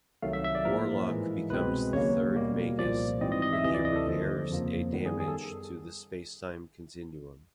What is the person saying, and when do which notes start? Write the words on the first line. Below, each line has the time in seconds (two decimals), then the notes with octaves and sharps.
Warlock becomes the third Magus when he repairs a damage to the spacetime continuum.
0.22 C2 C3 D#3 F#3 A3 F5
0.33 E5
0.44 E5
0.55 D5
0.65 A2 F3 A#3 A#4
1.08 G#2 E3 G#3
1.50 C2 B2 G#3 C4 B4
1.93 D#2 C#3 F#3 A#3 C#5
2.36 B2 G3 A#3
2.78 C2 A#2 F3 D5
3.21 G#2 E3 G3 C4 D#5
3.32 D#5
3.42 D#5
3.53 E5
3.64 D2 C3 E3 D#5
3.74 D5
3.85 D#5
3.96 A4
4.07 D#2 D3 F3
4.49 F2 C#3 F3 A#3
4.92 F#2 D#3 G3 B3
5.06 G#4
5.20 G#4
5.28 A4